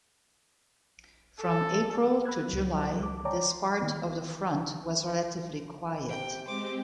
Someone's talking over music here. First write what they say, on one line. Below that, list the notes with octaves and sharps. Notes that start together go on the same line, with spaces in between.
From April to July this part of the front was relatively quiet.
A4
B5 E6 F#6 G#6
C#2 F#3
D6
C#5 D5 G5 A5 A#5 D6
C6
D#3 A#3 B3
C3 G5
G#3 C4 G4 C5 D6